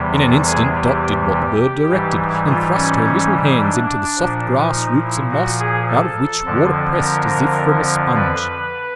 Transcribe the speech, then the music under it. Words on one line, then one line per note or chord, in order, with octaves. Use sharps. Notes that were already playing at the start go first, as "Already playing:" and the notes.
In an instant Dot did what the bird directed, and thrust her little hands into the soft grass roots and moss, out of which water pressed, as if from a sponge.
Already playing: E2 C3 E3 G3
A4
G#4
G4
G4
G#2 E3 G3
F4
C#4
D4
A#2 F3
D#4
E4
F#4
G#4
A4
F2 D3 F3
A#4
B4